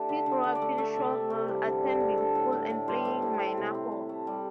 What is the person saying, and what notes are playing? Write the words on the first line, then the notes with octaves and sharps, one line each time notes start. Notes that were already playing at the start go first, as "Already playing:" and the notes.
He grew up in Shawville, attending school and playing minor hockey.
Already playing: A3 D4 E4 G4
D3 E5
D3
D5
D3
D5
A3
A3 E5
C3
A3
C3
G3 E4
D3
G3
G4
D3
A3 A4
A2
A2
A2
G3 C5
A2
G4
A2
E4
A2
C3
C3
A3
A3
G3